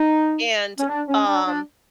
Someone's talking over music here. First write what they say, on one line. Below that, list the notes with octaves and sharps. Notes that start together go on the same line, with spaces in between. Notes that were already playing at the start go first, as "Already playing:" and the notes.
and, um,
Already playing: D#4
C#4
D4
C#4
D4
D4